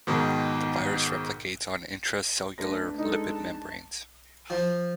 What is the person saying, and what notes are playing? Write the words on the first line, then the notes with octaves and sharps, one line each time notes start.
The virus replicates on intracellular lipid membranes.
G#2 B2 D#3
A3 D4 B4 A#6
G#3 D#4 A4
A5
F3